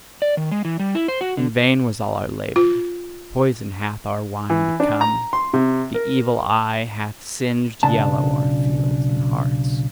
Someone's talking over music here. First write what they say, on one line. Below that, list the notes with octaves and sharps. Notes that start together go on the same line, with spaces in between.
In vain was all our labour, poison hath our wine become, the evil eye hath singed yellow our fields and hearts.
D5
D#3
G#3
E3
G3
E4
C5
F#4
D3
F4
E3
D4
A#5
C6
C3
A#4
B1 C#3 D4 A5